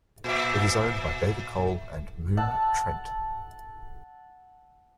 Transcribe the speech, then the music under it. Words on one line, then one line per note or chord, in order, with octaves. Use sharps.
It is owned by David Cole and Moon Trent.
A#2 E5
F#5 A5 E6